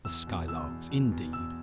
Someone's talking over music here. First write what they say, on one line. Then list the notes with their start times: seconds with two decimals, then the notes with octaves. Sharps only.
The Skylarks, indeed!
0.05 E2 E6
0.27 B2
0.48 E2 E6
0.69 E2
0.90 B2
1.12 E2
1.33 B2 E6